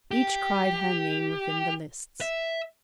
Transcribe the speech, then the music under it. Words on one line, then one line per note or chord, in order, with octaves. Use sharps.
Each cried her name within the lists.
G4
E5